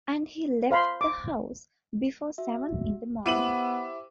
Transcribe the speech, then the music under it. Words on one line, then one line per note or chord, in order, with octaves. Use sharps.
And he left the house before seven in the morning.
C5 F5 B5 C6
D6
F#4 E5
B3 E4 G4 C5 D6 D#7 F#7